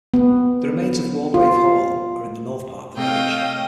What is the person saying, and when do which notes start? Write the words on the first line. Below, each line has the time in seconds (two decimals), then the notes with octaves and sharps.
The remains of Walgrave Hall are in the north part of the village.
0.14 B3
1.34 F4
2.97 C3 A3 C#5 D#5 F5 G5